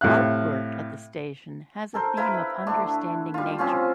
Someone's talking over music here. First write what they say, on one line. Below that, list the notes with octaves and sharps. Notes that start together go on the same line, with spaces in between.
Artwork at the station has a theme of understanding nature.
A2 C3 F5 F#6
A4 A#4 C5
E4 B4 F5 A#5
E5
D3 A3 D4
G3 F4
F3 C4 C#4 F4